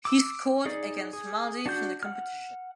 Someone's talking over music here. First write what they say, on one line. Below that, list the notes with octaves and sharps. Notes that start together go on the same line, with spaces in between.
He scored against Maldives in the competition.
D6 E6
D#4 G#4 D5
G#4
D4 F#4 G6
F#5 F6